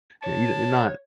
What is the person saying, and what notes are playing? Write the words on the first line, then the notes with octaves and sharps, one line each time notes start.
you you're not
C#5 A5